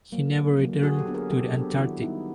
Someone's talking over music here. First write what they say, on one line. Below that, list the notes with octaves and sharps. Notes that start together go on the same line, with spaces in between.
He never returned to the Antarctic.
F#3 A#3
D3
F#3 A#3
F#3 F#4 G#4
G4 A4
B3 D4
G#4 A#4
F#3 G4 A4
B3 D4 G4 A4
D#3 E4 F#4
G3 B3 D#4 E4